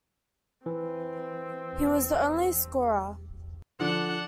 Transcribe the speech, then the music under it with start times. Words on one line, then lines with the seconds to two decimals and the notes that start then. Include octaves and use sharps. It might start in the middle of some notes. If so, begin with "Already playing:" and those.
He was the only scorer.
0.66 E3 C4
3.80 D3 F3 D4 F#5